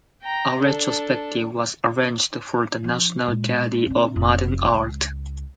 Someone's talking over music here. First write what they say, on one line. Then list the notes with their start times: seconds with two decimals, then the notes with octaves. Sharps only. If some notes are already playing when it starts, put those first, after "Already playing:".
A retrospective was arranged for the National Gallery of Modern Art.
0.23 G5 A#5
0.59 D4 A4
2.84 F3 D4
3.28 A#2 G#3
3.86 C4 D4
4.16 F1
4.73 C#2